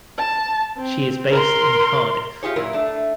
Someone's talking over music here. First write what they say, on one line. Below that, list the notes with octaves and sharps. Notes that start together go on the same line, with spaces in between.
She is based in Cardiff.
A5
C4
A#4 C6
F4 G4 G#4 C#5
F#2 A#2 E4 A#4
A3 D4